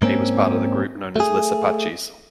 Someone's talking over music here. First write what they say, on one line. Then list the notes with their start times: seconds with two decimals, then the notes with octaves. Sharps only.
He was part of the group known as Les Apaches.
0.02 G#2 A#3 C4 C#4
1.16 A3 G#4